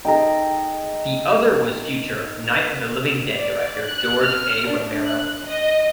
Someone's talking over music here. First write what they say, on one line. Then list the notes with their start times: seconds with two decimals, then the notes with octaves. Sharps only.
The other was future "Night Of The Living Dead" director George A. Romero.
0.05 D#4 G#4 A4 G5 A#5
3.36 D5
3.85 F#6
4.22 F6
4.68 D4
5.05 F#6
5.45 D#5